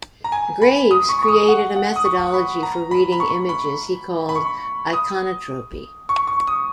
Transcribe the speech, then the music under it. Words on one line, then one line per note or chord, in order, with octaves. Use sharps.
Graves created a methodology for reading images he called "iconotropy".
A#5
G#5
B5
D#6
C#6
C#6
D#6
F#5
F#5
D#6
C#6
B5
A#5
B5
B5
C#6
B5
B5
C#6
D#6
C#6
C#6
D#6